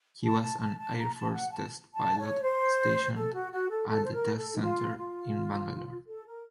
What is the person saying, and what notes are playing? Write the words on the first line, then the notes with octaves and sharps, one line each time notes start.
He was an Air Force test pilot stationed at the test center in Bangalore.
A5
A5
A5
A5
A#5
A5
F#5
A5
A5
C#5
C5
A4
F#4
F#4
A4
A4
C5
A#4
A4
D#4
F4
F4
A4
A#4